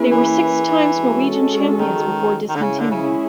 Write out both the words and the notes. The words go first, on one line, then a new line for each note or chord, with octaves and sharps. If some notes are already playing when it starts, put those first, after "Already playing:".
They were six times Norwegian Champions before discontinuing.
Already playing: A#3 C#4 E4 G#4 B4
E3
G#3 C#4 F#4 A4
D#3
D#3
D3
C#3 G#3 C#4 E4 G#4
D3
C#3